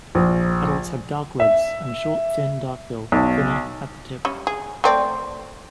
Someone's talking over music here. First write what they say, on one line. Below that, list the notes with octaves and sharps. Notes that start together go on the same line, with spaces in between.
Adults have dark legs and a short, thin, dark bill, thinner at the tip.
A#1
E5
B1
G3 C#4
G#4
A3 C4 D5